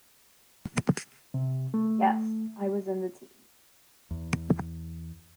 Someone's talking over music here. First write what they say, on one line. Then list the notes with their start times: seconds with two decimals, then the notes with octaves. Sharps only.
Yes, I was in the team.
1.34 C3
1.74 A3
4.11 E2